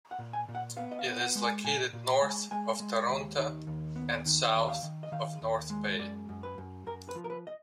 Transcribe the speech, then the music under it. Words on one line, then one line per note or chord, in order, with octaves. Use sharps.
It is located north of Toronto and south of North Bay.
F#5
A#2
G#5
A#2
F#5
B3 F5
D#5
F5
B3
F#5
G#3
G#5
A#2 G#5
A#2
A#5
G#3
G#3 G#5
G#3
D#2
D#3
D#2
B3
D#3
D#2
F5
D#3
D#5
D#3 F5
D#2
G#3
F#2 D5
F#2
B4
F#2
F#2 A#4
B4
F3
A#4
B4
D#5